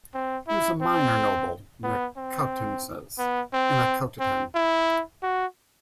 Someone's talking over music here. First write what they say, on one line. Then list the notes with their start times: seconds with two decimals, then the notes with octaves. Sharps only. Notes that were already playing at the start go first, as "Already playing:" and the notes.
He was a minor noble near Coutances in the Cotentin.
0.14 C4
0.48 E4
0.81 C4
1.84 B3
2.17 C4
3.18 B3
3.53 C4
4.20 C4
4.55 E4
5.23 F#4